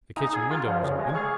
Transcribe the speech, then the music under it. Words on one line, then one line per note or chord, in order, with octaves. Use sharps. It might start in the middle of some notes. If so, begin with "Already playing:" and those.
The kitchen window was open.
D#4 A#5 D#6
G#4
F4
F3
C#3
G#3
G#6
G#4 C#6 F6